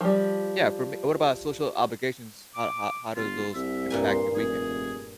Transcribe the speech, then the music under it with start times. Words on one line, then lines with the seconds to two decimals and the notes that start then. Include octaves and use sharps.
Yeah, for me what about social obligations? How how how does those impact your weekend?
0.01 F3 G3
2.55 D6
3.16 G1 F4
3.55 C2 E5
3.90 G2 A#2 G#5
4.08 C6
4.35 F1 G#4